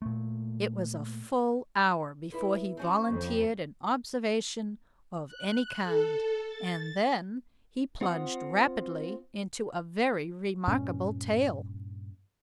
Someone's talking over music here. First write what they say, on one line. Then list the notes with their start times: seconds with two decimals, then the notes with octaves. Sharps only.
It was a full hour before he volunteered an observation of any kind, and then he plunged rapidly into a very remarkable tale.
0.02 A#2 A3
2.32 B3 E4
2.77 C4 C#4 F#4
3.08 F2
5.26 F#6
5.83 A4
6.45 A6
8.01 C4 F4 F#5 D#6
10.68 G2 A#2 C#4